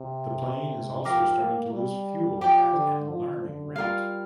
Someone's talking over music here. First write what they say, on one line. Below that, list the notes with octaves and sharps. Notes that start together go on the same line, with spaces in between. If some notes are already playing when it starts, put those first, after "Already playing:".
The plane is also starting to lose fuel at an alarming rate.
Already playing: C3
F3 G4 A#4 F5 D6
A#3
G3
F3 G4 D5 G5
D3
F3
D3
G3 F4 A#4 F5